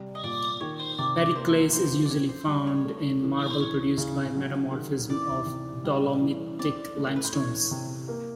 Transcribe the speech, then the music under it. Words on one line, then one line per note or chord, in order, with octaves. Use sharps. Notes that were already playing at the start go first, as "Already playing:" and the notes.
Periclase is usually found in marble produced by metamorphism of dolomitic limestones.
Already playing: C3 G3
D#5
A#2 D5
D#3 C#5
C5
C3 D5
D5
A#3 C5
F3 C5
D5
C4 C#5
C5
G3
C#5
A3
E3
C5
E3 C#5
C#3
F#3
D#3
E3 D5
C3
G3
E3
C4 D5
A3
A#4
B4
C5
E3 C#5
C3
A#3